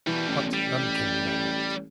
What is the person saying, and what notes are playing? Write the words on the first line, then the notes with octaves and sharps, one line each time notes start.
But none came that night.
B2 E3 G3
A1
G3